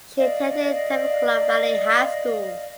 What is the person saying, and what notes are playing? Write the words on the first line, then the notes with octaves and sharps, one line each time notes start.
She attended Temecula Valley High School.
D5 D#5 F5